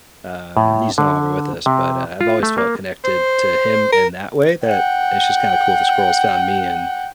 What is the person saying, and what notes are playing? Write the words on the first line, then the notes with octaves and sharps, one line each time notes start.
um, he's no longer with us, but, uh, I've always felt connected to him in that way that it's just kinda cool the squirrels found me, and
A2
D3
C3
F4
A3
A#3
C5
A#4
F#5 G5